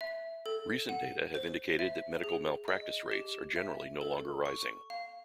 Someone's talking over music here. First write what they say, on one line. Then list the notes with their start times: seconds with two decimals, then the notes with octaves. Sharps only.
Recent data have indicated that medical malpractice rates are generally no longer rising.
0.01 E5
0.46 A4
0.89 F#5
1.35 C5
1.79 E5
2.24 G#4
2.68 D#5
3.11 G4
3.56 E5
4.01 A4
4.45 C#6
4.90 F5